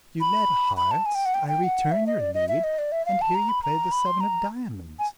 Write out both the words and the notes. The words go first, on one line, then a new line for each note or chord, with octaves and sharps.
You led hearts, I return your lead, and here you play the seven of diamonds.
B5
B5
A5
G#5
G5
F#5
G5
G5
F#5
E5
D#5
D5
D#5
E5
D#5
D5
E5
F5
A5
A#5
B5
A#5
B5
C6
A#5
G#5